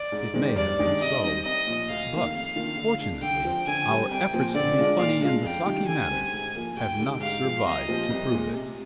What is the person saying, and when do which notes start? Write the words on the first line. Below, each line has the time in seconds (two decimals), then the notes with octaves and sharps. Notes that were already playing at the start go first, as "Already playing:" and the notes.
It may have been so; but, fortunately, our efforts to be funny in the Saki manner have not survived to prove it.
Already playing: D5
0.12 G#2
0.34 D#3 G#3 C4
0.56 G2 D5
0.79 D#3 G#3 D4 G#4
1.00 C3 D#5
1.23 G3 C4 D#4 G4
1.44 C2 D#5
1.67 A#2 F3
1.89 D2 F5
2.11 C3 D#3 A#3
2.33 F2 F5
2.56 D#3 A#3 D4 F4
2.77 D3
3.00 G#3 D4
3.22 D3 G5
3.45 F3 C4
3.66 D3 G#5
3.89 G3 C4
4.11 C2 G5
4.33 A#2 F3 C4
4.54 D3 D5
4.78 G#3 D4 F4
4.99 A#2 F5
5.21 G#3 D4 F4
5.44 F2 G5
5.66 C3 D#3 G3
5.87 D3 G#5
6.11 G3 C4 G4
6.33 G#2
6.55 F3 A#3
6.77 D2 G5
6.99 D3 G#3 D#4 G4
7.20 G#2 F5
7.44 F3 G#3
7.65 C2 D#5
7.88 A#2 F3 C4 G4
8.10 C2
8.31 A#2 G#3
8.53 C3